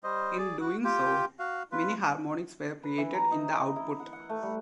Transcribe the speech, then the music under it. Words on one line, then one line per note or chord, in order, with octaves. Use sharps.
In doing so, many harmonics were created in the output.
G3 C5 D#5
G#4 D5
F#4
F4 G4 G5
F#4 F5
F4 B4
B4
E3
A#5
D#4
D#5
E4
F#5
F#5
A3
G3